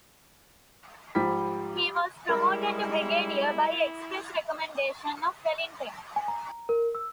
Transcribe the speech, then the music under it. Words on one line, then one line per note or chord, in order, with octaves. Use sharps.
He was promoted to Brigadier by express recommendation of Wellington.
G#2 F3 G3 B6
G3 G#3 E4 A#4
G#5
A#5
A#4
E6